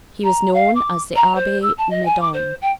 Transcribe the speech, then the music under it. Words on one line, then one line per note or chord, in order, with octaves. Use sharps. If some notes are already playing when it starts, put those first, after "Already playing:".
He was known as the Abbe Midon.
A#5
F5
D6
A#5
C5
E6
A5
D#5
G#5
D6
C5
G5